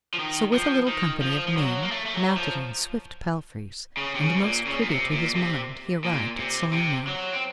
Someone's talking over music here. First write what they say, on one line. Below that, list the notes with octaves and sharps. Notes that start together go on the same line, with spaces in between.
So with a little company of men, mounted on swift palfreys, and most privy to his mind, he arrived at Salerno.
F3
D#3
F3
D#3
F3
F3
F#3
A#3
A3
A3
F#3
F3
C#3
C3
C#3
C3
A#2
C#3
A#2
C3
A#2
C3
A#2
C3
C3
F#3
C4